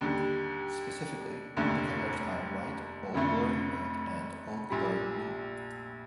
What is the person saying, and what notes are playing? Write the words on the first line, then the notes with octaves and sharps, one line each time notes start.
Specifically, the colors are "White", "Old Glory Red", and "Old Glory Blue".
D#2 D3 G3
F1 D#2 D3 A3
F1 F2 D3 A3
A#1 A#2 G3